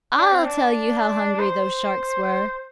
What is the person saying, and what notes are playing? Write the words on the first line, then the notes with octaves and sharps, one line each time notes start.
I'll tell you how hungry those sharks were.
D4
C4
D4
C5